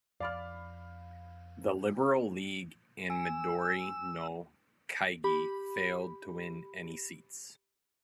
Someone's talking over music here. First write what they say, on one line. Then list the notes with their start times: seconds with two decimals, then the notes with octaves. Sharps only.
The Liberal League and Midori no kaigi failed to win any seats.
0.20 F2 D5 F5 B5 F6
3.10 G#5 E6
5.24 G4 B5